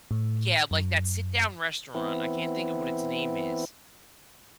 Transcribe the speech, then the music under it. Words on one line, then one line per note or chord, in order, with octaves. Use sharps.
Yeah, like, that sit down restaurant. I can't think of what its name is.
A2
F#2
E3 B3 C4 E4